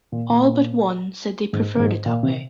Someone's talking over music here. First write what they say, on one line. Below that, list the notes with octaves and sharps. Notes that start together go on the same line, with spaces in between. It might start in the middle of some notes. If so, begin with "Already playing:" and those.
All but one said they preferred it that way.
A#2
A#2
G#2
G#2
A#2
C3